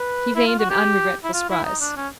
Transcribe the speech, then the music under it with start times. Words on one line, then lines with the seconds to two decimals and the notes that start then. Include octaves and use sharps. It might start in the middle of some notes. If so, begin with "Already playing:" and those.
He feigned an unregretful surprise.
Already playing: B4
0.35 E4
0.47 F4
0.59 F#4
0.70 G4
1.24 E4
1.33 F4
1.50 E4
1.65 D#4
1.81 D4
1.97 C#4